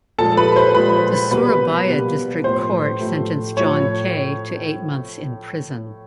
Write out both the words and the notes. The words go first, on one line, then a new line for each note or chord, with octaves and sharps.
The Surabaya District Court sentenced John Kei to eight months in prison.
A#2 F3 G#3 A4 A5
B4 B5
C5 C6
A#2 F3 G#3 B4 B5
B2 G3 A#3 B4 B5
B2 G3 A#3
A2 F3 A3 C5 C6
A2 F3 A3
A2 F3 A3 C#5 C#6